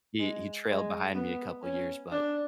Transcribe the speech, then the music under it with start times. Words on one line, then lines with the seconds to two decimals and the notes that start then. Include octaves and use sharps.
He he trailed behind me a couple years, but,
0.19 G#3
0.68 G#3
1.15 B3
1.63 C#4
2.12 D4